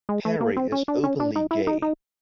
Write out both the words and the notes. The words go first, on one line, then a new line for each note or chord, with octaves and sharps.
Perry is openly gay.
G#3
A3
A#3
C4
C#4
D4
C#4
D4
D#4
E4
D#4
D#4